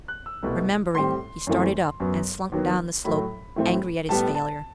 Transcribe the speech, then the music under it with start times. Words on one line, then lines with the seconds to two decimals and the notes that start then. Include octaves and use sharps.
Remembering, he started up and slunk down the slope, angry at his failure.
0.08 F#6
0.26 E6
0.43 C2 B2 A3
0.95 A2 G3 C4 C6
1.47 F#2 E3 A3 C4
2.00 F#2 F#3 B3
2.52 D#2 D#3 F#3 B3
3.04 A2 F#3 A3 B5
3.56 A2 E3 A3 C4
4.09 A2 G3 B3 A5
4.35 A5